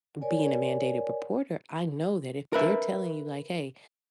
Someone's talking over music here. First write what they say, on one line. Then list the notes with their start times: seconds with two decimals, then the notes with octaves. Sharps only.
b being a mandated reporter, I know that if they're telling you, like, "Hey,
0.21 A#4 C#5 D5 G#5
2.53 A#4 B4 E5